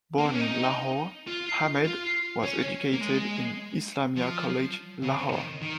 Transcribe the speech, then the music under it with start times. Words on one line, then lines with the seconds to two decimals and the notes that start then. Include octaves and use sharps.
Born in Lahore, Ahmed was educated at Islamia College Lahore.
0.18 A#3
0.26 C4
0.33 C#4
0.40 D#4
1.27 F4
1.85 F4
2.43 C#4
2.93 A#3
3.01 G#3
4.16 F3
5.03 C#3
5.18 C3
5.32 D#3
5.62 D#3